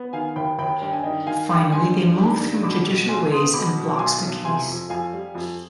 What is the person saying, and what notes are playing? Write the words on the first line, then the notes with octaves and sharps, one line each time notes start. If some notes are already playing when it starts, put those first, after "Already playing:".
Finally they move through Judicial ways and blocks the case.
Already playing: B3
D#3 F5 G#5
D#2 G5 B5
D#2 G5 B5
G2 G5
G#5
D#3 D#5 G5
D#3 F5 G#5
G2 G5 B5
G2 G#5 C6
G2
D#3 B5 D6
G2
B2 B5 D6
B2
B1 G#5 C6
B3 C6 D#6
B2 B5 D6
B2
D6
B1 G#5 C6
B1
C3 G#5 C6
F2
F2 F5 G#5
G3
F2